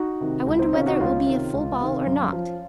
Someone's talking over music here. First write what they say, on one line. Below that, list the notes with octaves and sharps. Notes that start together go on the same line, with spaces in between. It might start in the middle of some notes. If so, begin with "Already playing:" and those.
I wonder whether it will be a full ball or not!
Already playing: D#4 F#4
C3 D#3
C#2
C4 D#4
C3 D#3 C#4 F4
D#4 F#4
C#2 C#4 F4
C3 D#3
C#2
C3 D#3
F#2
F3